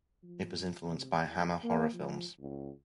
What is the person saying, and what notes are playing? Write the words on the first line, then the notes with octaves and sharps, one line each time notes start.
It was influenced by Hammer Horror films.
F3
C3
E2
A#3
F3
C#2